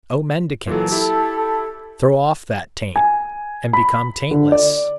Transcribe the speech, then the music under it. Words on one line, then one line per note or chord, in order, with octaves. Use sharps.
O mendicants! throw off that taint, and become taintless!
A#2 E3 F#3 A4
E4 G4
G#5
B5
D3
D5